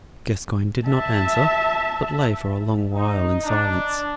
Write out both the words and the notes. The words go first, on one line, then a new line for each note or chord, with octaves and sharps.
Gascoyne did not answer, but lay for a long while in silence.
E5 A5
D#4
D4